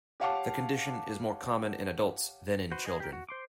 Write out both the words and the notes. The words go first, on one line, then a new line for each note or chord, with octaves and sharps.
The condition is more common in adults than in children.
G4 C#5 F5 F#5 A5 D6
F#4 B4 C5
G#4 D#5
G4 A#4
F#4
C5 C6 D6